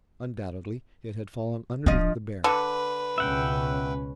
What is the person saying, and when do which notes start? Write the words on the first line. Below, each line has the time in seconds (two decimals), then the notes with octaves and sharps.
Undoubtedly it had fallen underneath the bear.
1.86 D1 F3 D4 D#5
2.44 D3 B4
3.18 C#2 B2 C#4 E5 F#5 G5